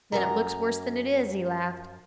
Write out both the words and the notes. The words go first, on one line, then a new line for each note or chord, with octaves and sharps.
"Then it looks worse than it is," he laughed.
F#2 A#4 A#5